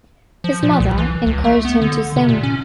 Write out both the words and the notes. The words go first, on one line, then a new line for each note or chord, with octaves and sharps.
His mother encouraged him to sing.
F3
A#2
C2
E3
C#2
A3
B3
D3
C3
A#2
C#4